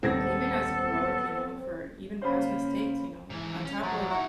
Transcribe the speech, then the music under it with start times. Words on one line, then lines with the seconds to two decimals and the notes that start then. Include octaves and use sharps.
even as a growth, you know, for even past mistakes, you know, on top of
0.03 D#1 B3 C4 A4 G#6 A#6
2.22 C#3 A#3 C#4 C5 C#5 F5 B5
3.30 G#2 E3
3.65 C#4
3.83 F3 F#3 G#3
4.10 D#4 E4 F#4